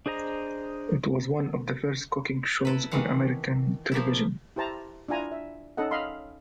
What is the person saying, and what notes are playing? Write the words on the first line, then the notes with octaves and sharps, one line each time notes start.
It was one of the first cooking shows on American television.
D4 G#4 C5 D#5 A#5
E4 A4 B4
D#3 E3 B4 F5 F#5
F3 A#3 E4
E4 G4 C5 A5 A#5
D4 E4 F4 G#5 A#5
E5
C#4 D#4 A4 D#5 F#5
D#5 F5 B5 C6